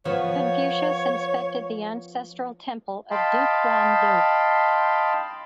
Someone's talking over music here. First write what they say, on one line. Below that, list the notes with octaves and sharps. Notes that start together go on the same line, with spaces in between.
Confucius inspected the ancestral temple of Duke Huan of Lu.
F3 B3 C#5
D#5 F5 G5 A5 B5 C6